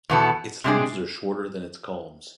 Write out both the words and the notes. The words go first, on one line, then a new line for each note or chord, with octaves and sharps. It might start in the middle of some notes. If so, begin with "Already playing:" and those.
Its leaves are shorter than its culms.
E2 B2 B3 E4 A4
C3 G#3 D4 G#4